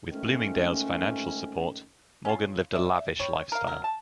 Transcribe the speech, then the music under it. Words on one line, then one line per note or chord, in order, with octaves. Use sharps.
With Bloomingdale's financial support, Morgan lived a lavish lifestyle.
F2 D#3 G#3 A3 C#4
C#4 F4
D5 E5
G3 C#5
A#4 F5
F#3 A#4
A5